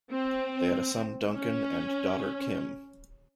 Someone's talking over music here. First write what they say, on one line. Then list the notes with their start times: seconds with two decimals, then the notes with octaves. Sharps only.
They had a son Duncan and daughter Kim.
0.11 C4
1.33 C#4